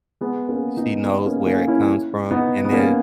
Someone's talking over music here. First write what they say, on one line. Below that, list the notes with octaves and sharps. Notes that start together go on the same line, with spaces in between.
she knows where it comes from, and then
G#3 B3
A#3 C#4
B3 D#4
B3 D#4
A#3 C#4
A#3 C#4
C#4 E4
B3 D#4
B3
A#3 C#4